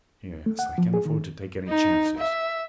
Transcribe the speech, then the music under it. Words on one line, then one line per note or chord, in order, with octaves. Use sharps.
Yes, I can't afford to take any chances.
A3
F#5
F3
G#4
D#3
D#4
E5